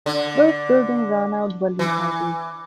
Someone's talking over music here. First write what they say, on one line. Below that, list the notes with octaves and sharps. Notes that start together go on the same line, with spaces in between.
Both buildings are now dwelling houses.
D3
E3